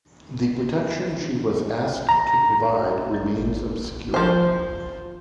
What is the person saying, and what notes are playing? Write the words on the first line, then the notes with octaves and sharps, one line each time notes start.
The protection she was asked to provide remains obscure.
A#5
F3 C5